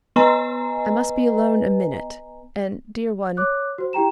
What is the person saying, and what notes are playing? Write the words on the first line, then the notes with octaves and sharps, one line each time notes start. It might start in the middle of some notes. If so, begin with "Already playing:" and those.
I must be alone a minute--and--dear one . . .
B3 B4 D#5 G#5 A#5
C#5 D6 F#6
F#4 C5
E4 G4 G5 A#5 E7